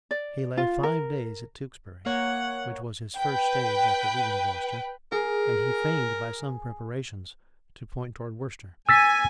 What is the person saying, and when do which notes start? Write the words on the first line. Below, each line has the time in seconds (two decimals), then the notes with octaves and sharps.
He lay five days at Tewkesbury, which was his first stage after leaving Gloucester; and he feigned, by some preparations, to point towards Worcester.
0.11 D5
0.57 F4
0.83 A#4
2.06 A#3 C#5 F#5
3.18 B4 G5
5.12 G#4 A#4
8.89 G#5 E6 A6 B6